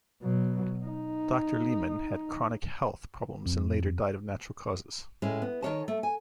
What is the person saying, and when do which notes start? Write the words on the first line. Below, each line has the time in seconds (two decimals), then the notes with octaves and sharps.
Doctor Limann had chronic health problems and later died of natural causes.
0.22 B2 F#3
0.84 D#4
3.46 F2
5.22 A2 G#3 C#4
5.42 B3
5.62 D#3 F3 A#4 C#5 D#5 A5
5.88 A3
6.03 G#5